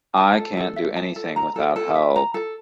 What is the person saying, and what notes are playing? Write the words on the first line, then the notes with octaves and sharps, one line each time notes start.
I can't do anything without help.
A5
A4
A4
E5
A5
A4
A#5
A4
A4
E5
A#5
A4